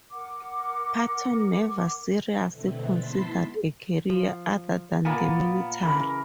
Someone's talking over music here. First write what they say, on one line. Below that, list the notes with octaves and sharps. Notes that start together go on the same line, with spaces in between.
Patton never seriously considered a career other than the military.
A#4 F#5 D6
B2 D3 E3 A3 C4
G#2 B3 E4 A5 C6 B6
F3
A#2 A#3 B3 A#4 G#5 A5
C#3 E3 A#4 B5